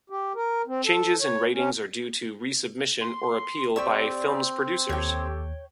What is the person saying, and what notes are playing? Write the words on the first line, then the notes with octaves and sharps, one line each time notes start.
Changes in ratings are due to resubmission or appeal by a film's producers.
G4
A#4
C4
A4
C#5
C#4
C6
C4 G4 D5 C#6 E6
D#2 G4 A4 C#5 G5